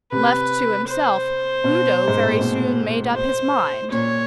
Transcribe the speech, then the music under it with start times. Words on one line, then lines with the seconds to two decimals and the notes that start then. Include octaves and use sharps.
Left to himself Udo very soon made up his mind.
0.12 C3 B4
0.89 C5
1.64 B2
2.08 G#2
2.18 A2
2.28 A#2
2.40 B2
3.15 C5
3.92 A#2 C#5